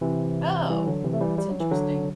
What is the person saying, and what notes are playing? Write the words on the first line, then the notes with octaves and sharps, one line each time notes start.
Oh, that's interesting.
C3 E3
E3 G3
D3 F#3
C3 E3
A3
E3 G3
G3
F#3
E3
D3 F#3